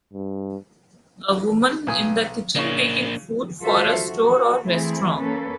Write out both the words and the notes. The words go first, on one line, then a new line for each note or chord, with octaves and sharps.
A woman is in the kitchen making food for a store or restaurant.
G2
B1 G#5 D#6
C#3 A#3 D4 C#5
F4 F#4 A4 C5 E5 F5
F#4
E3 A3 C4 E4 G#4
A#3 C#4 A4 B4